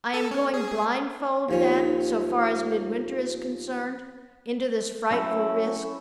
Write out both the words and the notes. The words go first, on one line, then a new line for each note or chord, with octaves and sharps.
I am going blindfold, then--so far as Midwinter is concerned--into this frightful risk?
A4
C#4
G#4
D#2 F3 C#4
F#3 A3 C#4 E4